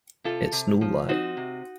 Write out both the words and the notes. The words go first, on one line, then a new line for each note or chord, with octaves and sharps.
It's no lie.
C3 F4 A4
C3
F3
C4 D#4 F#4
C3